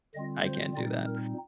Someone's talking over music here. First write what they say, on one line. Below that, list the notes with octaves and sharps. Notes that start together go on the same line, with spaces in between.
I can't do that.
D3 G3 C4 F4 D#5
C5
A#2 G3 C4 D#4 D5
A#4